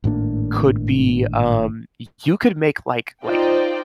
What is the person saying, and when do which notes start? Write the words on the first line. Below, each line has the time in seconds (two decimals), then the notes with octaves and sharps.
could be, um, y you could make like like,
0.04 G#1 A2 A#3 D4
3.24 D#4 F4 C5 D5 D#5 G5